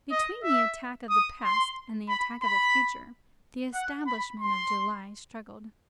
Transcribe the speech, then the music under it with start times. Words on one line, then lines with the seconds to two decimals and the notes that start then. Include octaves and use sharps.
Between the attack of the past and the attack of the future, the establishment of July struggled.
0.11 D#5
0.43 E5
1.10 D#6
1.43 C6
2.08 B5
2.42 B5
3.74 F#5
4.07 B5
4.40 C6